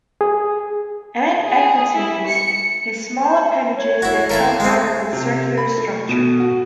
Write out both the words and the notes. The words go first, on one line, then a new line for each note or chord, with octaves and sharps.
"N. equitans" has small appendages that come out of its circular structure.
G#4
G#4
E4
C#7
C5
C#5
E4 F#4
E4 A4 A#4 F5
G#3 C4
C3
B5
A3
B2
F#4